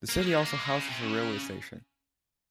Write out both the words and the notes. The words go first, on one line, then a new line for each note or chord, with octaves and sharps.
The city also houses a railway station.
A#3
A#3
G#3
A#3
G#3
C#3
C3
C#3